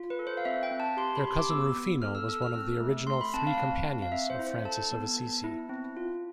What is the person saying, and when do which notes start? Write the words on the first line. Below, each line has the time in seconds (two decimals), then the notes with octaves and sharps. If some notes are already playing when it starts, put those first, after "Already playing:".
Their cousin Rufino was one of the original "Three Companions" of Francis of Assisi.
Already playing: F4
0.10 B4
0.19 A4
0.27 C5
0.37 F5
0.45 C4 E5
0.63 G5
0.71 C4
0.80 A5
0.97 G4 C6
1.16 B5
1.23 G4 C6
1.38 D6
1.50 B3 E6
1.76 B3
2.02 A4 F6
2.15 E6
2.29 A4 E6
2.42 F6
2.54 C4 E6
2.80 A3
3.07 A3 C6
3.21 B5
3.34 C4 A5
3.47 F5
3.59 C4
3.86 C4
4.02 F5
4.12 C4 E5
4.30 C5
4.39 E4
4.47 C5
4.65 A4 A5
4.91 B3
5.17 B3
5.44 E4
5.69 C4
5.97 F4